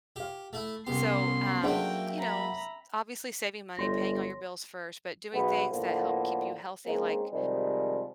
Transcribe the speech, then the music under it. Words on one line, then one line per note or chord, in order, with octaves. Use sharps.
So, um, you know, s obviously, saving money, paying all your bills first, but doing things that help keep you healthy, like
G4 F5 G5
A3 E4
C2 B3 C#4 G4 C6
F#3 A#3 D4 G#4 C5 E5 G5
A#5 B5
G1 C#5 C6 A#6
B1 F#3 B3 G#4 B4
A2 D3 F3 A#3 B3
G#3 A#3 C4 C#4 D#4
C3 D#3 F3 G3 G#3